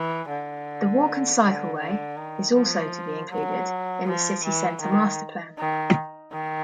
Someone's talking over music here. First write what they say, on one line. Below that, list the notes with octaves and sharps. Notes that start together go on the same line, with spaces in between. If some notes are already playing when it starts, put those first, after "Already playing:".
The walk- and cycleway is also to be included in the city centre masterplan.
Already playing: E3
D3
D3
D3
D#3
F3
F#3
F3
E3
D#3
D#3
D#3